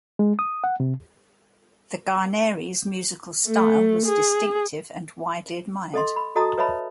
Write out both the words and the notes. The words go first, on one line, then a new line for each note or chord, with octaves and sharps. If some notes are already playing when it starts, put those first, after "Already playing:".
The Guarneri's musical style was distinctive and widely admired.
G#3
D#6
F#5
C3
A3
G#4
A4 D#5 C6
B5
F#4 A4 D#5 A5 A#5 D#6
B4 C#5 D#5 E5 A5 B5